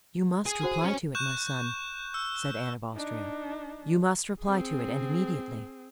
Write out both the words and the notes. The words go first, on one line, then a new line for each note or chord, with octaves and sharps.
"You must reply to it, my son," said Anne of Austria; "you must reply to it, and immediately."
G#4
F#4 C5 F#5
C#4 G#5
C#6 F#6 G6 E7
E6
D4 D#4
C4 G#4